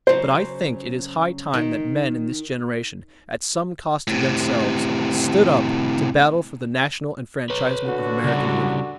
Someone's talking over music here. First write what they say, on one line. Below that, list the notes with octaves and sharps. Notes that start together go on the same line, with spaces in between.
But I think it is high time that men in this generation, at some cost to themselves, stood up to battle for the national enfranchisement of American women.
C#3 F#3 C5
D#3
A2 C3
B4 C#5
D3 F#4
C#3 G3